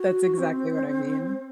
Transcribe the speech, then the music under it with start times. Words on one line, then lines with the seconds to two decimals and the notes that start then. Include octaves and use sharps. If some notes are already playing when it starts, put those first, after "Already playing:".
that's exactly what I mean.
Already playing: F#4
0.38 C4